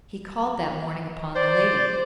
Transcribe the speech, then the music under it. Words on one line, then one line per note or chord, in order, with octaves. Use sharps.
He called that morning upon the lady.
C5 D5